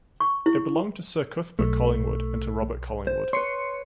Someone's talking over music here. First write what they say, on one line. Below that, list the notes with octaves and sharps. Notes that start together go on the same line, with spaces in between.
It belonged to Sir Cuthbert Collingwood; and to Robert Collingwood.
C#6
E4
B1 A3
C5
B4 C#5 C6 C#7